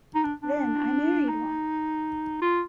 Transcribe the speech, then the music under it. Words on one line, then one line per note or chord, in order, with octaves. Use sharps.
Then I married one!
D#4
D4
D4
D#4
F4